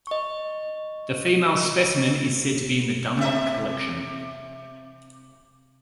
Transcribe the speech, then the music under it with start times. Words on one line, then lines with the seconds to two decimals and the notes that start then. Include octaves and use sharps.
The female specimen is said to be in the Dunlop Collection.
0.07 D#5 C#6
3.17 C3 E5